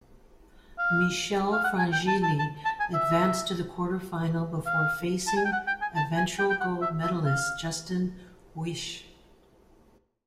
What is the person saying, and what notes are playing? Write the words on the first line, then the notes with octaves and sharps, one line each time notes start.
Michele Frangilli advanced to the quarterfinal before facing eventual gold medallist Justin Huish.
F5
F5
F#5
G#5
G5
A5
A5
A5
A5
G#5
E5
F5
A5
G#5
G5
F#5
G5
G#5
A5
G#5
G5
G5
F#5
E5
E5
F5